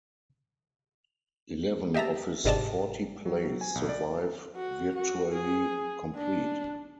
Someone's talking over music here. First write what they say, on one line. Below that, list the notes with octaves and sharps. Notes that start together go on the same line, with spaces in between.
Eleven of his forty plays survive virtually complete.
G4 D#5 E5 A5 A#5
G1 G#2 C3 D5 D#5 A5
F#3
G#5
B1
D5
F#4
F#4
G#4
D4